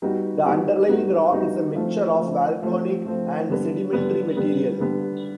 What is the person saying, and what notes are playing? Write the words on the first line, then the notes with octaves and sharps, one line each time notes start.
The underlying rock is a mixture of volcanic and sedimentary material.
G3 B3 D#4 F#4
G3 B3 D#4 F#4
G3 B3 D#4 F#4
G3 B3 D#4 F#4
F3 A3 C4
F3 A3 C4
F3 A3 C4
F3 A3 C4
D3 G3 B3
D3 G3 B3
D3 G3 B3
D3 G3 B3